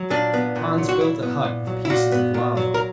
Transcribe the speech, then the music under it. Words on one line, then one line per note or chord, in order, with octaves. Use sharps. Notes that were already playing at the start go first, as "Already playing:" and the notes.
Hans built a hut of pieces of lava.
Already playing: F#3
A#2 D4
B3
A#2
F#3
F#4
A#2 E4
B3
A#2
F#3
E4
A#2 F#4
B3
A#2
F#3
A#4